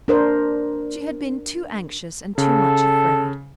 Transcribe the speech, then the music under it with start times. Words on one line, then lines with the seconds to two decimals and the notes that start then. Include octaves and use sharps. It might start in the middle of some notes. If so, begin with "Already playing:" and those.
She had been too anxious and too much afraid.
0.08 D4 A#4 C5
2.38 C#3 A4